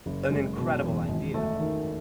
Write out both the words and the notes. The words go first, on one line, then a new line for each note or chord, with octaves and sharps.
an incredible idea,
F#1
G#3
B2
E2
G#1
A3
D#3